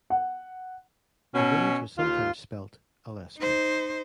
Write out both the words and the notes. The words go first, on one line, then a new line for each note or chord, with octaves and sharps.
The village was sometimes spelt 'Alestry'.
F#5
B2 C#4
D#2 F4
D#4 C5